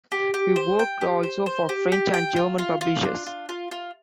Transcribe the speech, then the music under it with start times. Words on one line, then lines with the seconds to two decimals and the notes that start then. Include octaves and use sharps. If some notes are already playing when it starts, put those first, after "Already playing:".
He worked also for French and German publishers.
0.12 G4
0.34 G4
0.56 C5
0.79 G5
1.01 G4
1.23 C5
1.46 C5
1.69 G4
1.92 G4
2.14 G5
2.36 F4
2.58 F4
2.81 F4
3.04 D4
3.26 F4
3.49 F4
3.71 F4